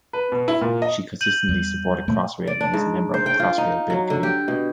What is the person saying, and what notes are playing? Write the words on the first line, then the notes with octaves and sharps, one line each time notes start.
She consistently supported Crossrail and was a member of the Crossrail Bill Committee.
B4
B2
E4
A#2
D#5
G6 D#7 F#7
E2 G3
A#2 A3
D5
D4
G#2
C5
G5
F4
D#4
F#3
D3
G4
B2